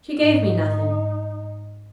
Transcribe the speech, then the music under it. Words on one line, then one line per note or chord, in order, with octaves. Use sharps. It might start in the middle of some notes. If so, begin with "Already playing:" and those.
'She gave me nothing.
G#2 D#4